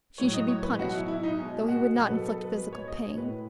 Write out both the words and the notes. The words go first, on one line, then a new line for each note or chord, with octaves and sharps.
She should be punished, though he would not inflict physical pain.
A2 F#3 C#5
D#5
C#5
B4
B2 F#3 F#4
E4
E4
D#4
B2 G#3
F#4
B2 F#3 F#4
B4
A4
A4
B4
B2 G#3 B4
C#5
D#5
C#5
A2 G#3 B4